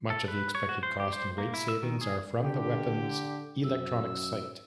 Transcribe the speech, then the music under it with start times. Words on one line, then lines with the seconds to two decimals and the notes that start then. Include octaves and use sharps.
Much of the expected cost and weight savings are from the weapon's electronic sight.
0.10 A4
0.28 B4
0.55 C#5
0.69 F#4
0.83 C5
1.00 G4
1.13 C5
1.38 A#3
1.54 E4
1.68 E6
1.83 D#3
2.01 G#4
2.41 D3 G4
3.64 F#2 E6